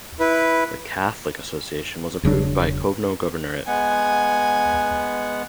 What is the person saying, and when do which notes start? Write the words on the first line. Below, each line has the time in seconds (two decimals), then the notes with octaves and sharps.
The Catholic association was approved by Kovno Governorate.
0.20 E4 B4
2.23 E1 C#3 F#3 D4
3.67 G#3 B3 F#5 G#5